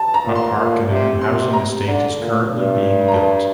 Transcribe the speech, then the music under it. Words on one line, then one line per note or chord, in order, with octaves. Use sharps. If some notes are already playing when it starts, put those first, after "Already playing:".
A park and a new housing estate is currently being built.
Already playing: A5
A#5
A#2
C6
A#2
C3
C3 C6
A#5
D3
A#2
G2
A#5
A5